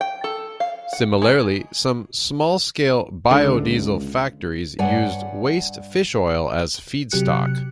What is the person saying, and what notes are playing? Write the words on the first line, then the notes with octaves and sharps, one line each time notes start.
Similarly, some small-scale biodiesel factories use waste fish oil as feedstock.
G5
A4
F5
F#5
G#3
C#2 D3
G2 C#5 D5 F#5 G#5
C3 F#3 G4 F#6 C#7